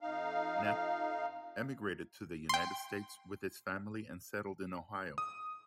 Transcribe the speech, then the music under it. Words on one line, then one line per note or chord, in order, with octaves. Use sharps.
Knappe emigrated to the United States with his family and settled in Ohio.
F2 D#4 F5
G5 C6
D#6